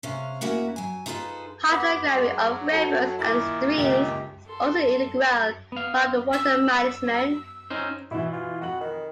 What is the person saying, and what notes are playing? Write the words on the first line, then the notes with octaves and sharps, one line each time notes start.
Hydrography of rivers and streams is also an integral part of water management.
C3 G#3 C#4 F5
A#3 C#4 E4 F#4 F#5
F#3 G#5
D#4 F4 G#4 A4 B4 C5
B3 D6 D#6
F#3 G#3
C#4 F#4 A4 A5
A#2 D#3 E4 E5 D6
C#2 G4
A4 C6
B3 F5
E6
C#4 D#4 C5
B2 E3 E4
F4
F2 F#4 F#7
D#3